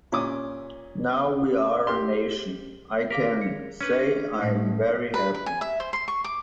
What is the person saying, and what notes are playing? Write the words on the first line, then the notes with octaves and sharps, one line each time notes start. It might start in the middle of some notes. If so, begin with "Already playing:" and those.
Now we are a nation...I can say I am very happy.
A#2 C#4 D6 D#6
G4 C6
A#4 F5 D6 B6
G#4 C#7
C#4 D4 B4
A2 G3 A3 D#4
B4
B4
G#5
E5
C5
C6
C#6
D6